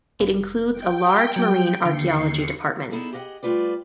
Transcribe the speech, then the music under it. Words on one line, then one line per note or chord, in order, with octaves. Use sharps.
It includes a large marine archaeology department.
F1
G5
F#3
D#2 D3 C7 C#7
B3 D#4 E4 G#4 A4 D5
G4 G#4 D#5 F5 F#5
G3 A3 F4 B4 D5